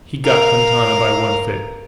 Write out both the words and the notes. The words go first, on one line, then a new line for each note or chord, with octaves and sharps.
He got Quintana by one foot.
A#4 F5